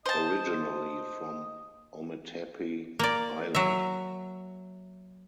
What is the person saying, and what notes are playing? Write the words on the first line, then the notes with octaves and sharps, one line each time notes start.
Originally from Ometepe Island.
C5 D#5 A5
A#3 D5
F#3 E5